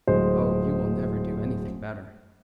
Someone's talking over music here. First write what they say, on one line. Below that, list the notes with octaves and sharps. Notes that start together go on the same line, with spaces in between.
Oh, you will never do anything better.
D1 G#3 C5